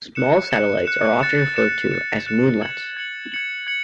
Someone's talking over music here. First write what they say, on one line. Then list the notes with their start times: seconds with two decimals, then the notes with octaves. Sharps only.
Small satellites are often referred to as moonlets.
0.15 F#6 C#7 E7
0.51 F#6 C#7 E7
0.86 F#6 C#7 E7
1.21 F#6 A6 C#7 E7
1.56 F#6 A6 C#7 E7
1.91 F#6 A6 C#7 E7
2.26 F#6 A6 C#7 E7
2.61 G#6 C#7 F#7
2.97 G#6 C#7 F#7
3.32 G#6 C#7 F#7
3.67 G#6 C#7 F#7